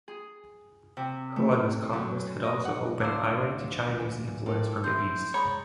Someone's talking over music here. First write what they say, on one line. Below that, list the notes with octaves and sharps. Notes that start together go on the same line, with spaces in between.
Hulagu's conquests had also opened Iran to Chinese influence from the east.
G#4
C3
A3
F#2
D#5
F#5
D2 D4 C5 F5 A#5 D6 E6
B4 G#5
D#4 F4 G4 A4 A#4 D5
E4 G4 C5 G6
G#3 C#5 D5 A#5 B5 D#6